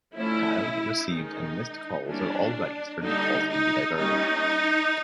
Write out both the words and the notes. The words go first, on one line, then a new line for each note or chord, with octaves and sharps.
Dialed, received and missed calls are all registered and calls can be diverted.
D3 F3 A3 C#4 E4
D#3 G#3 C#4 D#4
E3 G3 A#3 C#4 D4
D3 G3 A#3 D4 D#4
D#4
G3 A#3 C#4 D#4